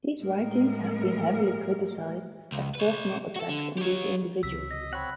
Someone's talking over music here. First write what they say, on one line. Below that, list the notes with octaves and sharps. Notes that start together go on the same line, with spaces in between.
These writings have been heavily criticized as personal attacks on these individuals.
A2 G#3 A#3 A#4
C#2
B4 C#5
F#4 A4
D3
G4 C#5
C#2 C3 E6 B6
D#5 A#6
C4 C#5 F#5 B5